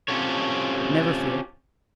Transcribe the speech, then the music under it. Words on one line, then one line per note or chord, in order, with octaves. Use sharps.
"Never fear."
C4 C#4 F4 G4 A4 C#5